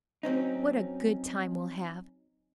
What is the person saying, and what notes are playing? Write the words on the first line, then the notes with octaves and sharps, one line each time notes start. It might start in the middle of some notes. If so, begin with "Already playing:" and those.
What a good time we'll have!
F#3 C4 C#4 D#4